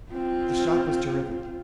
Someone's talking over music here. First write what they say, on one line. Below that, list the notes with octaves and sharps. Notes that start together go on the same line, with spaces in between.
The shock was terrific.
C4 F4